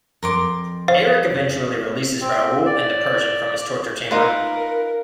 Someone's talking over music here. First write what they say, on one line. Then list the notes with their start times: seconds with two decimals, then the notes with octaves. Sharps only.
Erik eventually releases Raoul and the Persian from his torture chamber.
0.23 F2 A#4 C6 D6
0.88 C5 F5
2.21 C4
2.66 D5
4.11 D#4 F4 A#4 B4